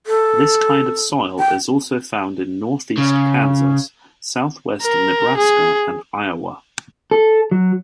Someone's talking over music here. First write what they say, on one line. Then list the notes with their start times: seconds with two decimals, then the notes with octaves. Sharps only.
This kind of soil is also found in northeast Kansas, southwest Nebraska, and Iowa.
0.07 A4
1.39 G5
2.98 C#3
4.82 A#4
5.38 G#4
7.11 A4
7.51 F#3